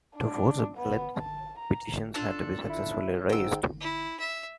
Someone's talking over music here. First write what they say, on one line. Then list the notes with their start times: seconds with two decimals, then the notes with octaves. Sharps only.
To force a ballot, petitions had to be successfully raised.
0.15 D4
0.78 B3
1.17 A5
1.59 A#5
2.14 D4 F4 A4
2.70 E4
3.29 G#2 G5 E6
3.81 E4
4.20 E5